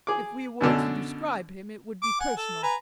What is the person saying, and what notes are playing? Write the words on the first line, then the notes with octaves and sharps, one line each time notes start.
If we were to describe him it would be personal.
G#4 D6
F#2 B2 D3 D4
D6
F#5 G#5
A4
B4 G#5 A#5